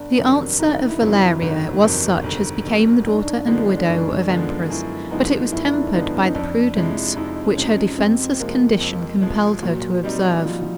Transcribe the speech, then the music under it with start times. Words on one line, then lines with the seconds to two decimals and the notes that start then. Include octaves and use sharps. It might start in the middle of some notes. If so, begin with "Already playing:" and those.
The answer of Valeria was such as became the daughter and widow of emperors, but it was tempered by the prudence which her defenceless condition compelled her to observe.
Already playing: G1 D4
0.19 F2 C3 D#3 F#3
0.59 G1 D#4
0.87 E4
1.01 F2 C3 D#3 F#3
1.14 E4
1.42 G1 D#4
1.83 F2 C3 D#3 F#3
2.24 G1
2.65 F2 C3 D#3 F#3
3.06 F#2 D4
3.13 D#4
3.21 D4
3.47 D3 F3 G#3 B3 D#4
3.77 D4
3.88 F#2 D#4
4.29 D3 F3 G#3 B3
4.70 F#2 E4
5.11 D3 F3 G#3 B3 D#4
5.52 F#2 E4
5.66 D4
5.73 D#4
5.88 D4
5.93 D3 F3 G#3 B3 D#4
6.14 C#4
6.24 D#4
6.35 F2 D4
6.75 C3 F3 G#3 E4
7.16 F2 D#4
7.44 C#4
7.57 C3 F3 G#3
7.71 C#4
7.98 F2 C4
8.40 C3 F3 G#3 A#3
8.81 F2
9.22 C3 F3 G#3
9.63 A#2 F#3
10.04 G3 C4 D#4
10.45 A#2 F3
10.62 F3